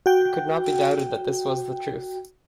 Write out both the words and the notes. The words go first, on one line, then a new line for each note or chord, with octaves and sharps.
It could not be doubted that this was the truth.
F#4 G5